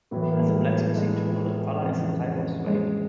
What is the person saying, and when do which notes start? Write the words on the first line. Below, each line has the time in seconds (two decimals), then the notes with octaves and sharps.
As a blacksmithing tool, a fuller is a type of swage.
0.11 A2 E3 F#3
0.22 B3
0.31 A#3
0.39 A3
0.46 G#3
0.54 G3
0.97 G#3
1.82 F2 C#3 E3
2.66 G#3